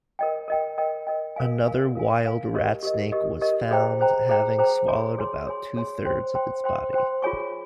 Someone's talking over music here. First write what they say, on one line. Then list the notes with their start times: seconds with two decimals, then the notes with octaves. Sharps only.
Another wild rat snake was found having swallowed about two-thirds of its body.
0.19 A#4 D#5 G5
0.48 A#4 D#5 G5
0.78 A#4 D#5 G5
1.07 A#4 D#5 G5
1.36 A#4 F5 G#5
1.66 A#4 F5 G#5
1.95 A#4 F5 G#5
2.24 A#4 F5 G#5
2.54 G4 A#4 D#5
2.83 G4 A#4 D#5
3.12 G4 A#4 D#5
3.42 G4 A#4 D#5
3.71 G#4 C5 G5 A#5
4.00 G#4 C5 G5 A#5
4.29 G#4 C5 G5 A#5
4.58 G#4 C5 G5 A#5
4.88 G#4 C#5 G#5 C6
5.18 G#4 C#5 G#5 C6
5.47 G#4 C#5 G#5 C6
5.76 G#4 C#5 G#5 C6
6.05 C5 G5 C6
6.35 C5 G5 C6
6.64 C5 G5 C6
6.93 C5 G5 C6
7.22 F4 G#4 C#5 G#5 C#6